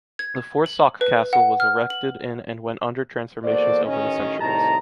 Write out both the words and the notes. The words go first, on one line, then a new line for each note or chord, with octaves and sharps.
The Forsac castle was erected in and went under transformations over the centuries.
G#6
F#7
B4
F#5
F6
F#7
E2 A#3 F#4 A4 C5 D5
A1 D#3 C#4 D#5
C2 A2 D#3 D#4 A5 A#5